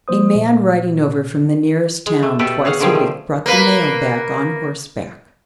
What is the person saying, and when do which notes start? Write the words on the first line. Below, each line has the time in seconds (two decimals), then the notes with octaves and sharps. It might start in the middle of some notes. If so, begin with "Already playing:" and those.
A man riding over from the nearest town twice a week brought the mail-bag on horseback.
0.08 F3 A#3 C5 D#6
0.35 A#2
2.07 G#3
2.23 A3
2.39 B2 A3 G4 A4 B4 D5
2.65 G#4 C#5 F5 F#5
2.80 D3 D#3 F3 G3 G#4 G5
2.95 A3
3.46 A#3 B4